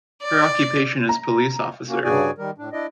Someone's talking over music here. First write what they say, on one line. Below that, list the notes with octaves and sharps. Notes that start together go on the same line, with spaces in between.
Her occupation is police officer.
D5
A#5
A#3 C#4 F#4
G2 C#3 F#4 G#4 D5 G#5
D#3 G3 A#4
A2 D4
D4 E4 D5 D#5